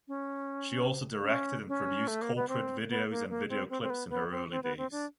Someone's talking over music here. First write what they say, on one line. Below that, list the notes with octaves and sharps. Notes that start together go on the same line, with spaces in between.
She also directed and produced corporate videos and video clips in her early days.
C#4
D4
C#4
C#4
A3
A#3
B3
C4
B3
A#3
A#3
C4
C4
C4
B3
B3
C4
C4
B3
C4
D4